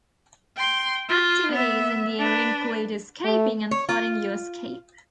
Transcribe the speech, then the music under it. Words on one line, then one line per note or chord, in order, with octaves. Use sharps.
Activities in the area include escaping and plotting your escape.
G5 C6
F4
B3 E5
D4 B4
A3
C#5
F4